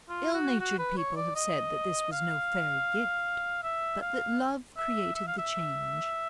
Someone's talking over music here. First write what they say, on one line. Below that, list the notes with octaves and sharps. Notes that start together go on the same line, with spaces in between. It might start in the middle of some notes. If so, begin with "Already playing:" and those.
Ill-natured people have said that this was no fairy-gift, but that love created the change.
F4
F#4
F#4
B4
C#5
D5
D#5
F5
E5
F5
E5
E5
F5
E5